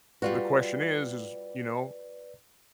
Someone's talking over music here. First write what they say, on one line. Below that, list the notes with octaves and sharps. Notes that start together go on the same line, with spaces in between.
The question is is you know,
G3 F4 F#4 B4 D5